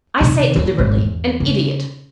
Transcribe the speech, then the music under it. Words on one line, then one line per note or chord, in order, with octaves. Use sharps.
I say it deliberately--an idiot!
C3 D#3
D#2
G#1
E2
C#3